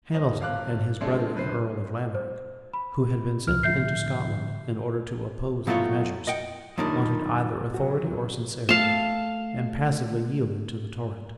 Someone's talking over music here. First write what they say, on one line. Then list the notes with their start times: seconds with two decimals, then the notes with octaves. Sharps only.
Hamilton, and his brother the earl of Laneric, who had been sent into Scotland in order to oppose, these measures, wanted either authority or sincerity; and passively yielded to the torrent.
0.14 D1 D#5
0.41 G1 F5 D6 F#6
1.01 D3 F3 G#3 A3 C4 D4
1.35 F#2 D3 B4 C5 C7
2.15 C5
2.73 B5
3.47 C#2 C3 F6
3.63 A2 D3 F3 E5 G6 C7
5.67 B2 F#3 A3 E4 F4 C#5
6.27 D#5 F#5 G5
6.78 F#2 A#2 D#3 G3 D4
7.74 C3 F#3 F#4
8.69 A3 F5 A5